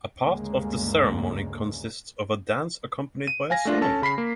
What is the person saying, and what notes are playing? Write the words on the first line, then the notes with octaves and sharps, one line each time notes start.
A part of the ceremony consists of a dance accompanied by a song.
D2 G2 C#3 G#3 A#3
D#7
F5 G#5 A#6
A3 D4 F4
C#4 A4 A5
C#3 B5 B6 C7
A#3